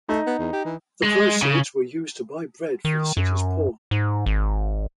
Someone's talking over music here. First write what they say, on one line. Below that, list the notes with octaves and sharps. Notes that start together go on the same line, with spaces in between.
The proceeds were used to buy bread for the city's poor.
A3 D#4
B3
E2
G4
E3
G#3
C#3
D#3
F#2
G#2
G#1